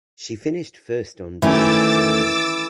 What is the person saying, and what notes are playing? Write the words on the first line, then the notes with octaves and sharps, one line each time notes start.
She finished first on balance beam.
D#3 E3 A3 C#4 D6 E6 A6